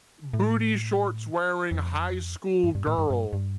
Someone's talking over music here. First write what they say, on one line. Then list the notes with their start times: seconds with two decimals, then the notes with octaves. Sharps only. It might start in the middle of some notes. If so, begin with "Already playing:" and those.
booty-shorts-wearing high school girl
0.33 A2
1.71 F2
2.64 G2
2.75 G2
2.87 A2
2.98 G2
3.10 G2
3.33 G2